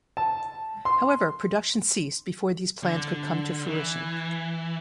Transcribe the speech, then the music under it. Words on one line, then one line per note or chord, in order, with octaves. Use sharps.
However, production ceased before these plans could come to fruition.
A5
C6
D3
E3